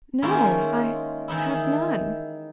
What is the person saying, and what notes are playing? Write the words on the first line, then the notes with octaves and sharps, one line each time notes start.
"No; I have none."
D#3 G#3 A#3 C#4 E4 F4
D#3 E3 D#4 E4